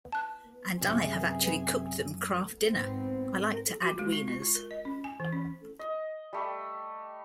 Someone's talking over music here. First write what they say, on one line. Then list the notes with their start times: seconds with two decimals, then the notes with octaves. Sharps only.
And I have actually cooked them Kraft Dinner - I like to add wieners.
0.12 A5 F#6
0.81 F#2 C3 G#4
2.65 G#2 B3 C4
3.83 F#4
3.99 G#3
4.12 F4
4.28 F4
4.42 F4
4.55 A#4
4.71 D#5
4.85 C#4
5.04 G#5
5.20 E3
5.33 C#4
5.79 D#5
6.33 G3 A3